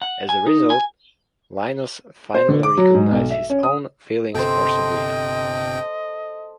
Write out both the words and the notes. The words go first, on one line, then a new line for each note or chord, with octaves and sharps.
As a result, Linus finally recognizes his own feelings for Sabrina.
F#5
G#5
D#4
G#5
C5
D3
D6
F#3
G#2
B1
E5
C#4
D#6
G1 C3 A4 C5 D#5 G5